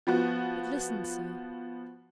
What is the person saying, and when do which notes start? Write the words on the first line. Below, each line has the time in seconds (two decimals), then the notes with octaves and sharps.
But listen, sir.
0.07 F3 B3 F#4